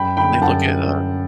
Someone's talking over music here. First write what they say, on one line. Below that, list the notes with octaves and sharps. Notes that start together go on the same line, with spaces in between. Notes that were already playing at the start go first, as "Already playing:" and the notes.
when they look at, uh
Already playing: F#2 G5 B5
D3 G5 B5
G5
F#2 F#5 A5